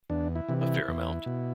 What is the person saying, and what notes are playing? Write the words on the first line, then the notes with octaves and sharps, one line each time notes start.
A fair amount.
E2 D4
E4
C3 E3
E4
E2
B2